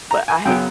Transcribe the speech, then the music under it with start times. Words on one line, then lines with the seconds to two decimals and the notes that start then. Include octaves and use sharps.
but I ha
0.11 A#5
0.28 G#5
0.45 F#2 C#3 F#3 B3 G5